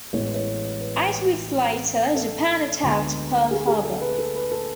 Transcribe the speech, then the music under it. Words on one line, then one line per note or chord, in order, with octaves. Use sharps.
Eight weeks later, Japan attacked Pearl Harbor.
A1 A2 E3 G#3 B3 C#5
C#5
B4
A4
D2 D3 G#3 B3
G#4
G#4
A4
B4
A4
B4
A4